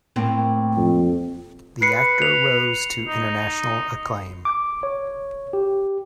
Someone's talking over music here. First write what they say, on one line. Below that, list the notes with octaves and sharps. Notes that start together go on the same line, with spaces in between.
The actor rose to international acclaim.
A2 A#3 C4
F2
B4 C7 C#7
F7
D#4
D6
C#5
G4